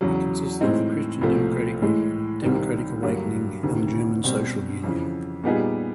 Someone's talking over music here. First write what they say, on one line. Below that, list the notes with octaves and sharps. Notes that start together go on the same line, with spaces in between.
It consisted of the Christian Democratic Union, Democratic Awakening and the German Social Union.
E2 C#3 F#3
A2 E3 G#3 C4 D#4
C2 A#2 F3 A3 C4
A2 E3 G#3
C2 C3 D#3 G3
G2 D3 F#3 A#3
D2 C3 D#3
B2 G3 C4
F2 C#3 E3
A#2 G3 B3 D#4 G#4